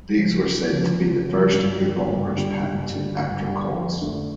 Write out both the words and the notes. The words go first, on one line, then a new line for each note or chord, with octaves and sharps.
These were said to be the first revolvers patented after Colt's.
C#3 F3 C#4
C#2
C#3 F3 C#4
C#2
C#3 F3 C#4
G2
D3 G3
G2
D3 G3
G2
D3 G3
G2
D3 G3
F2
D3 A3 D4